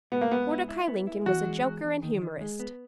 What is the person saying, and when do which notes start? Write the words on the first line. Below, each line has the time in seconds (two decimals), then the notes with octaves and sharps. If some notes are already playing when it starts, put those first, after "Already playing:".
Mordecai Lincoln was a joker and humorist.
0.12 G#2 B3
0.21 A#3
0.31 G#2 B3
0.51 E4
0.69 E4
0.88 B3
1.07 E4
1.26 E2 F#4
1.46 G#3
1.65 E2
1.83 E2
2.03 D#3
2.22 D#3
2.41 G#3
2.60 B3